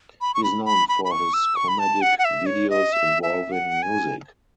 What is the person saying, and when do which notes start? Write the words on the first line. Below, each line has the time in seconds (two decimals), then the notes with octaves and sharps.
He is known for his comedic videos involving music.
0.21 B5
0.34 C#6
0.44 B5
0.65 B5
0.89 B5
1.04 B5
1.11 C#6
1.34 E6
1.56 C#6
1.68 B5
1.79 A5
2.02 F#5
2.19 F#5
2.25 E5
2.46 C#5
2.70 D#5
2.93 E5
3.23 E5
3.52 F#5
3.82 G#5